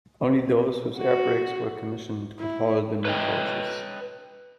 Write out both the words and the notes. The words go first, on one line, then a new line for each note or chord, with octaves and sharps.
Only those whose air brakes were commissioned could haul the new coaches.
F#4
E4
B4 C#5 D#5 G5